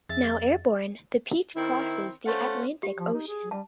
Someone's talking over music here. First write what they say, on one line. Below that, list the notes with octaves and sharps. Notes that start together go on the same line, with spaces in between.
Now airborne, the peach crosses the Atlantic Ocean.
F2 G#4 E5 A6
D#3 C4 E4
A3 C#4 C5 F5 F#5
G4
F3
D#4
G#4
G3 A5